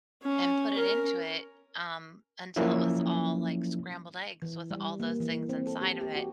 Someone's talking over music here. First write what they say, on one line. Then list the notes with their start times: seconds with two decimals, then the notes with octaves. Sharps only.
and put it into it, um, until it was all like scrambled eggs with all those things inside of it.
0.23 C#4
0.76 C#4 A#4
2.56 F3 F#3 A#3 C#4 E4
4.42 E3
4.71 G3
5.00 A#3
5.20 E3
5.49 C4
5.67 A4
5.81 G4
6.01 G4
6.16 F#4